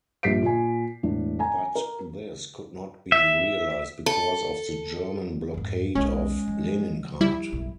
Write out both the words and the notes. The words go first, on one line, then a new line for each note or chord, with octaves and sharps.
But this could not be realized because of the German blockade of Leningrad.
A#1 G2 B6 C7 D7
A#2 G#5
E1 A2 D4
G#5 A#5
A#4
E5
A4
F2 G#2
B1 G#3 C#4 F4
F3
G3 E4
B1 F#2